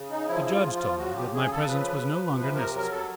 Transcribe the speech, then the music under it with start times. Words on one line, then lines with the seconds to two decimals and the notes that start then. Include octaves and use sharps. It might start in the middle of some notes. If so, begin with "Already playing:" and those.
The judge told me that my presence, was no longer necessary.
Already playing: C#3
0.11 D#4
0.28 F3 E4
0.44 E4
0.52 F4
0.62 F3
0.75 F4
0.98 C#3 F#4
1.16 G4
1.33 C#3 G#4
1.51 A4
1.68 F3 B4
2.03 F3
2.38 C3 B4
2.55 A#4
2.74 F#3 A#4
2.91 A4